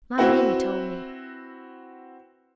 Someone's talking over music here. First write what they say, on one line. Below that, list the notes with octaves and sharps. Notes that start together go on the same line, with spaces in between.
My mammy tole me.
C4 E4 F#4 B4